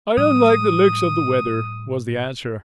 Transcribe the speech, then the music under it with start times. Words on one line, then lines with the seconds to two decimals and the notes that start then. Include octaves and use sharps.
"I don't like the looks of the weather," was the answer.
0.18 A2 F3 G3 D#6